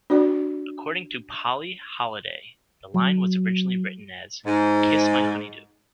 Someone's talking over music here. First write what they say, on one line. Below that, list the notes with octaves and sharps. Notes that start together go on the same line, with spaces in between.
According to Polly Holliday, the line was originally written as, Kiss my honeydew!
D4 F#4 D5
F#3
G#2